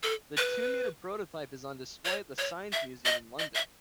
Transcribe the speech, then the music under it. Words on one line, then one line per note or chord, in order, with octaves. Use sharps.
The two-meter prototype is on display at the Science Museum in London.
A4
B4
C#5
C#5
E5
D#5
D#5
E5